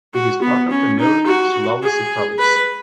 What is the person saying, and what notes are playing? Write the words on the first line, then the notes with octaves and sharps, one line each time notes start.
It is part of the North Sulawesi province.
F#4
B3
C#4
D#4
F#4
G#4
B4